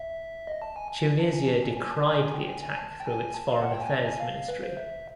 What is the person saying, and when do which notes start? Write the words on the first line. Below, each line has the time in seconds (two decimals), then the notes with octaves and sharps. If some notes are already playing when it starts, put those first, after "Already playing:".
Tunisia decried the attack through its foreign affairs ministry.
Already playing: E5
0.47 D#5
0.62 A5
0.76 G#5
0.91 G#5
1.19 A5
1.33 G#5
1.48 A5
1.63 G#5
1.77 G#5
1.91 A5
2.06 G#5
2.12 A5
2.20 G#5
2.34 G5
2.48 G#5
2.63 G#5
2.77 A5
3.00 G5
3.06 G#5
3.34 A5
3.52 F5
3.62 F#5
3.72 G5
3.81 G#5
3.92 A5
4.06 G#5
4.20 F5
4.48 B4
4.63 C5
4.77 E5